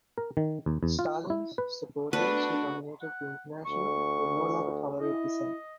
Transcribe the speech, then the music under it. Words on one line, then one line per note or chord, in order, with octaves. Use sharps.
Stalin's supporters, who dominated the International, would no longer tolerate dissent.
A#4
D#3
D#2
E2
F4
E4
B4
A3 B3 D4 F#4 B4
F#5
D2 C#6
E4 D#5